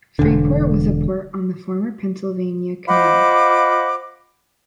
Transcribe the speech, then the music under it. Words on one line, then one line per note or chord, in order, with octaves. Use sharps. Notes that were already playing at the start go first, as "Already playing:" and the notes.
Freeport was a port on the former Pennsylvania Canal.
E1 D3
F4 C5 D#5 F#5 B5 D6